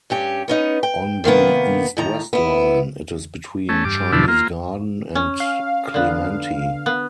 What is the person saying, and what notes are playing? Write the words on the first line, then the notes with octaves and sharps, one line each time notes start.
On the East West Line, it is between Chinese Garden and Clementi.
G2 C#4 G4
B3 C#4 D#4
G5
C3 D#3 A#3 B3
A2 D#3 A#5
B3 E4
A3 C#4
G2 D6
E2 B2 D3 F3 D4 E4
A#3 F4
C#4
F5
D3 B3
B3